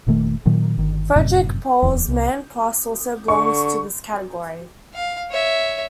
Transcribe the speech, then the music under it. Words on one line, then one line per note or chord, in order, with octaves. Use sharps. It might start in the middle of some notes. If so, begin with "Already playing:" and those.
Frederik Pohl's "Man Plus" also belongs to this category.
F1 A#2 D#3 A3
A#2 D#3 F#3
G1 D#3
F1 F#2 A2 C3
D1 E2
C2
D3 C#6
F5
C#5 E5